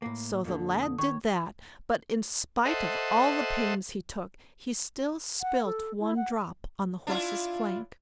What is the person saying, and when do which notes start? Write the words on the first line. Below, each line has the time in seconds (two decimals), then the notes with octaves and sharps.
So the lad did that; but in spite of all the pains he took, he still spilt one drop on the horse's flank.
0.02 A2 A#3
0.44 F2 A#2 D3
0.83 D#6
0.98 D#3 C#5 C#6
2.65 A4 C5 D#5 E5 F#5
5.41 F#5
5.65 A4
6.00 E4
6.16 F#5
7.07 D4 E4 F4